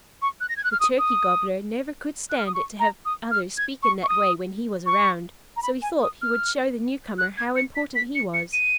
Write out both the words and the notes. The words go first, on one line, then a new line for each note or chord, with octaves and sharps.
The Turkey Gobbler never could stand it to have others speak in that way when he was around, so he thought he would show the newcomer how important he was.
C#6
F#6
A#6
G#6
F#6
F6
D#6
D#6
F#6
F6
D#6
C#6
A#5
D#6
F6
G#6
C#6
C#6
D#6
C#6
A#5
B5
G#5
D#6
F6
F#6
G#6
C#7
B6
B6
C#7
C#7
D#7